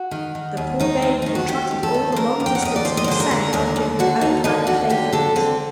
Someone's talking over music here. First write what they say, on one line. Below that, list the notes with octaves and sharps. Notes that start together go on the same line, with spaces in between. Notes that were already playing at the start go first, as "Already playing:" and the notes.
The poor baby had trotted all the long distance in the sun after her unkind playfellows.
Already playing: F#4
D#3
D#3
D#2
D#3 D#4
D#2
D#3 D#4
F#4
D#2 G4
D#2
A4
D#3
C5
D#2 A#4
D#2
G5
F#5
D#2 D#5
D5
D#2 C5
D#5
D5
D3 C5
A#4
D3
D#2 A#4
D#2
D3 F#4
D#2 D#4
D3 D#4
D#2 F#4
D3 G4
D3 A4
D3 C4